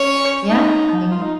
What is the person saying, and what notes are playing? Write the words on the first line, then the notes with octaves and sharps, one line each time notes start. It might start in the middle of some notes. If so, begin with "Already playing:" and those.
Yeah. I agree.
Already playing: C#4 C#5
D#4
F4
D#4